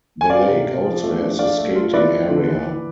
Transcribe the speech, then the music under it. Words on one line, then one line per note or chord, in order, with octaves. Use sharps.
The lake also has a skating area.
G#5
C4 D5 F5
C3
C3
F3
A3
D4
D4 D5 F5
A3
F4
E4 B4 D5
F3
D3
E3
E3